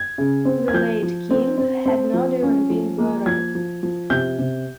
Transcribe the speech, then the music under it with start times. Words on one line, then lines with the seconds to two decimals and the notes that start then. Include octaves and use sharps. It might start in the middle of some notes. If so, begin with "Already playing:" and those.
The late king had not even been buried.
Already playing: G#6
0.18 C#3
0.45 C4
0.68 G#6
0.74 F3 G6
1.03 F3
1.31 C4
1.58 C4
1.86 C4
2.14 F3
2.43 C#4
2.70 F3
2.98 A#3
3.26 F3 G#6
3.55 F3
3.83 F3
4.10 C3 G6
4.39 C3